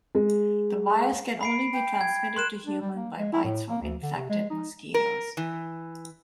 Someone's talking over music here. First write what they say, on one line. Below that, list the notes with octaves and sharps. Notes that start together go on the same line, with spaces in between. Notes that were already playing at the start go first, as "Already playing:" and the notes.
The virus can only be transmitted to humans by bites from infected mosquitoes.
G#3
B5 C7 D7
G5
G#6
A#4 C6 F#6 E7
D4
G3
A#3
G#3
E4
A2
A#3
D2
D3
C3
G#3
D#4
A#4
E3